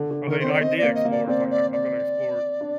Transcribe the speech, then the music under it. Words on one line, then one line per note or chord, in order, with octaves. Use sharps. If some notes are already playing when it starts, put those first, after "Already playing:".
are they idea explorers? Like, I I'm gonna explore
Already playing: D3
D3
D#3 A#4
C4 C5
D5
C4 D#5
A#3 D5
D#5
A#3
D5
C4 D5
D5
D5
D4